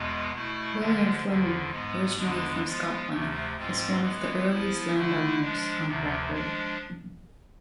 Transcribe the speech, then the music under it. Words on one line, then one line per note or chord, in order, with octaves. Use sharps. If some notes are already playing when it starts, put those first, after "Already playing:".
William Fleming, originally from Scotland, is one of the earliest landowners on record.
Already playing: E2 B2 G#3 B3
B2 A3 E4
D3 F3 G#3
E2 D3 F3
G#2 G#3 B3
E2 D3 G#3 B3 D4
F3 G#3 B3 F4
D2 C3 F3 A3
G#2 F3 G#3 C4 F4
E3 G#3 B3
F3 B3 E4
D3 A3 E4
F3 G#3 D4
D2 C3 F3
F3 G#3 D4